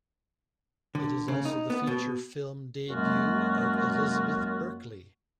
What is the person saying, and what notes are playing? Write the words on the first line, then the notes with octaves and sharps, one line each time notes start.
It is also the feature film debut of Elizabeth Berkley.
D3
C#3
D#4
B3
B2
F#2 F#3 G#3 A#3 F4 F#4